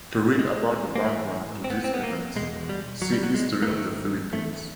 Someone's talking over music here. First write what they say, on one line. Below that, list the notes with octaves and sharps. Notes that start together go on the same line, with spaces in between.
To read about the background to these events, see History of the Philippines.
G#3
A#3
G#2 E3 A3
C4
B3
C4
B3
A#3
E2 B2 G#3
G3
F#3
G3
F#3
G#3
A#3
G#2 D#3 A3
A3